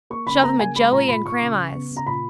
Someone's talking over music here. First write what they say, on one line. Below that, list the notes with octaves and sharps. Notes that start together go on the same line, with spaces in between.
Shove him a joey and grahamise.
A#3 C#6
C#3 B5
A#3 A#5
C#3 G#5
G#3 B5
A#2 A#5
A#2 B5
A#2 C#6
C#3
C#3
B3
C#3
A#5
A#2 B5